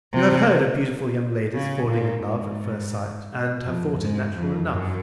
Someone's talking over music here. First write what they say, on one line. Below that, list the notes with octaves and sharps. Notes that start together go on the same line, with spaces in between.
You have heard of beautiful young ladies falling in love at first sight, and have thought it natural enough.
C3
C#3
A#2
G#2
F2
G#2
F2
F#2